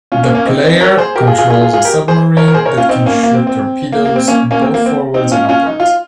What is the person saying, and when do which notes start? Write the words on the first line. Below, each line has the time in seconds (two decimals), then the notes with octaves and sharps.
The player controls a submarine that can shoot torpedoes both forwards and upwards.
0.12 C#4 F4
0.23 A#3 C#4
0.35 A#3 C#4
0.46 C4 D#4
0.64 C4 D#4
0.81 A#4 C#5
0.98 G#4 C5
1.15 G4 A#4
1.27 F4 G#4
1.38 F4 G#4
1.50 F4 G#4
1.61 F4 G#4
1.73 F4 G#4
1.85 G4 A#4
2.08 G#4 C5
2.37 A#4 C#5
2.48 A#4
2.54 G#4 C5
2.65 A#4 C#5
2.77 C#4 F4
2.89 C4 D#4
3.06 A#3 C#4
3.23 A#3
3.35 C4
3.47 C4
3.92 A#3
4.05 A#3
4.16 C4
4.27 A#3 C#4
4.51 A#3 C#4
4.62 C4
4.74 A#3
4.86 C4
5.14 C4 D#4
5.32 C#4 F4
5.49 C#4 F4
5.67 D#4
5.80 F4